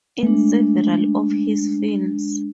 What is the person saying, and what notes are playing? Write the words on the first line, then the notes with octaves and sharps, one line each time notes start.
In several of his films.
G#3 A3 D4